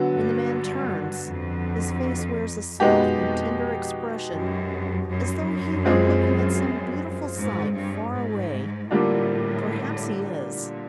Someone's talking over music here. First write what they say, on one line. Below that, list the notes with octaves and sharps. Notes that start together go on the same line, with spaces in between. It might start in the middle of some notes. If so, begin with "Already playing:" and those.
When the man turns, his face wears a soft and tender expression as though he were looking at some beautiful sight far away, and, perhaps, he is.
Already playing: D3 F#3 B3
G2
F2
F#2 B2 G#3 B3 D#4 G4
F2
F#2
F#2
G#3 C4 F4 G#4
G#2
G2
G#2
A2 D3 G3 A#3 D4 F4
A#2